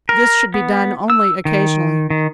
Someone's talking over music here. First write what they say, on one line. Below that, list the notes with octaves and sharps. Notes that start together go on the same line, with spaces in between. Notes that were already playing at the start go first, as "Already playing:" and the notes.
This should be done only occasionally.
A#4
B3
E6
D#3
D#3